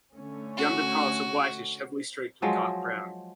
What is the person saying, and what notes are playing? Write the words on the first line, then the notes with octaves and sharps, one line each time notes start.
The underparts are whitish, heavily streaked with dark brown.
D3 A3 C#4
F#4
F3 F#3 G#3